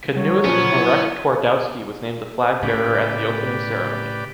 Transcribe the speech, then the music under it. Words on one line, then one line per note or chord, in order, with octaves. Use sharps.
Canoeist Marek Twardowski was named the flag bearer at the opening ceremony.
F#3 G3 C#5
A#2 F3 B3 C#4
E4
A2 C#3 G4 B4 D5